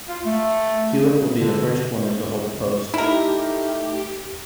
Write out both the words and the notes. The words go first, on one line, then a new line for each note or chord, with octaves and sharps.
Hewitt will be the first woman to hold the post.
F4
A3
C#3
D3
A3 D#4 E4 G4 A#4